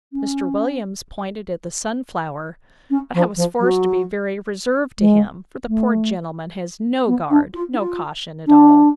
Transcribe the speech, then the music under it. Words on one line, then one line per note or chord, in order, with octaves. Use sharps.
Mr. Williams pointed at the sunflower, but I was forced to be very reserved to him; for the poor gentleman has no guard, no caution at all.
C#4
C#4
F3
F3
F#3
G#3
A3
B3
D4
F4
D4
F4
D4